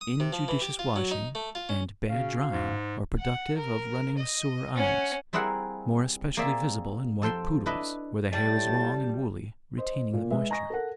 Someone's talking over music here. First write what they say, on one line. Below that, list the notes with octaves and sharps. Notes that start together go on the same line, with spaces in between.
Injudicious washing and bad drying are productive of running sore eyes, more especially visible in white poodles, where the hair is long and woolly, retaining the moisture.
D#6
C3
F3
E3
G4
F4
F#3
D#4
A3
F4
C#4
C#3 C#4 F#4 F5
G#2
F#5
A#4
D#5
C#4 F#5
G3 C4 E4 G#4 A#4 F#5
A#3 C4 G#4 D5 E5
F2 A4 C5 G5 C6
D4 E4 B4 D#5
A2 G3 A5 A6
C5 D#5
A#2 A#3
G#3 B4 E5
D#5 G#5 A#5 C#6 D#6 A#6
A4 A#4 F#5